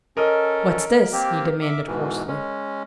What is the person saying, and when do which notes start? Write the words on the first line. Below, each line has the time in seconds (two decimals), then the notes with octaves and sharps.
"What's this?" he demanded hoarsely.
0.17 C#4 A4 A#4 D#5
1.13 A#3 C4 G4
1.62 E5 D6
1.87 G#2 B2 E3
2.28 G#3 C#4